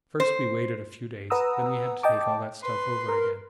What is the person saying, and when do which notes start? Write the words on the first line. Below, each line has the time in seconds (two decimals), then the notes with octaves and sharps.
First we waited a few days; then we had to take all that stuff over again.
0.20 C5
1.30 B4 F#5 A#5 D#6 E6
2.03 D#5 G5 A5 D6
2.61 B4 C6
3.08 A#4